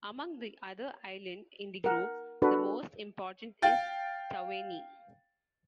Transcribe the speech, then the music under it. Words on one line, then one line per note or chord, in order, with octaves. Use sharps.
Among the other island in the group, the most important is Taveuni.
A#4 F#5
D4 F#4 A4 B4
F5 G5 A6